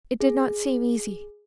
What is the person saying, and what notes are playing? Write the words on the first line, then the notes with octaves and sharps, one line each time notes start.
It did not seem easy.
G#4